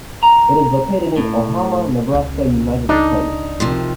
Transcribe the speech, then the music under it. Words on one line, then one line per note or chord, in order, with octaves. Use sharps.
It is located in Omaha, Nebraska, United States.
A#5
A2
C#2 C#3
D4 D#4
C3 D#3 F3